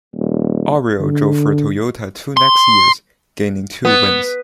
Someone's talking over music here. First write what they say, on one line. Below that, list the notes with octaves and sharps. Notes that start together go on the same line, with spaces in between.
Auriol drove for Toyota two next years, gaining two wins.
D#1
D3
C6
B3